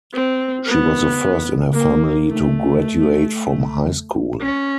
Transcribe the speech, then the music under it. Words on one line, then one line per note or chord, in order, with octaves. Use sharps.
She was the first in her family to graduate from high school.
C4
B3
A#3
A3
C#4